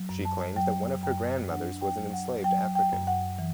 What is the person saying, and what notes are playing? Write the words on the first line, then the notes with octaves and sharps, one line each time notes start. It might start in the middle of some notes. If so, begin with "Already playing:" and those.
She claims that one of her grandmothers was an enslaved African.
Already playing: F#3
F#2
A5
F#3 G5
F#2 G5
D4 F#5
G5
F#3
F#5
F#3 G5
G5
F#2
F#5
E3